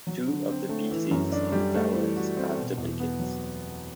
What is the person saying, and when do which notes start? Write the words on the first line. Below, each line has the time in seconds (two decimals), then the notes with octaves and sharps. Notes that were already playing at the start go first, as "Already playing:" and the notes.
Two of the pieces in the towers are duplicates.
0.07 F#3
0.27 D3
0.49 C4
0.69 A3
0.91 E3
1.11 F#2
1.32 D4
1.52 G3
1.74 A3
1.94 E3
2.16 F#4
2.37 C4
2.58 B2
2.78 E2
2.99 B3
3.19 F#3